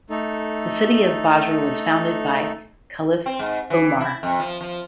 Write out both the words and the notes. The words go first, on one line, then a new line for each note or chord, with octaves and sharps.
The city of Basra was founded by caliph Omar.
A3 D#4 A4
C4
G#2
E3
E4
F2
F3
F3